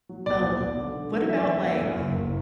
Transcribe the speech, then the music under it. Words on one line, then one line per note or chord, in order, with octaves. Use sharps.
Um, what about like
F#3
B1 D5
B1
B1
D3
D3
F#3
E3 E5
D5
E3 E5
E2
F#2
F#1
F#1